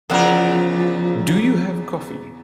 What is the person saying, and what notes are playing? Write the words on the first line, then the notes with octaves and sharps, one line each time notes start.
Do you have coffee?
E2 C#3 F3 A#4 C5 F5 F#5